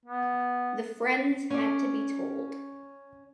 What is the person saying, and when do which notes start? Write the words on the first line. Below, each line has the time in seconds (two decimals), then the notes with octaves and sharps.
The friends had to be told.
0.05 B3
1.50 C#4 D5